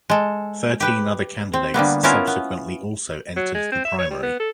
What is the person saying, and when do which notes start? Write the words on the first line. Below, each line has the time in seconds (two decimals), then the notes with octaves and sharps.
Thirteen other candidates subsequently also entered the primary.
0.10 G#3 A4
0.80 G4 B4 G5
1.53 C4
1.74 D3 G3 A#3 B3
2.03 B3 C#4 E4 F4 A#4
2.27 B3
3.36 F#3
3.55 G#3
3.72 C4
3.85 E5
3.99 C#5
4.10 G3
4.22 B3
4.39 A4